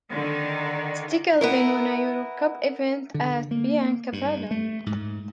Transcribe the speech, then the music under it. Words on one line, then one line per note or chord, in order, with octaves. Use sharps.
Steggall then won a Europa Cup event at Piancavallo.
D3 D#3
B3 E4 A#4
D3
A#3
G2
A3
G#2